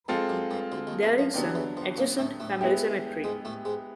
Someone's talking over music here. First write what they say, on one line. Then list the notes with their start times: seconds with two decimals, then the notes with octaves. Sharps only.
There is an adjacent family cemetery.
0.08 F2 F3 G#3 C4 F4 A4
0.29 F#2 F#3
0.51 G2 G3
0.72 D2 D3
0.87 D#2 D#3
1.03 E2 E3
1.18 F2 F3
1.34 D#2 D3 D#3 F#3 B3 D4 G4
1.55 E2 E3
1.77 F2 F3
1.97 A#2 A#3
2.18 A2 A3
2.40 A2 A3
2.61 G#3 B3 E4 G4
3.24 G#2 G#3
3.45 A2 A3
3.65 G#2 G#3